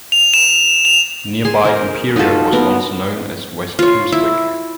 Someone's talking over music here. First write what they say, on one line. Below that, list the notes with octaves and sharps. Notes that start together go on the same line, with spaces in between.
Nearby Imperial was once known as West Kimmswick.
F7
E7
F7
G#4 C6
A#4 C5
D#4 F4 F#4 A4
B3 A#4
F4 C#5
E4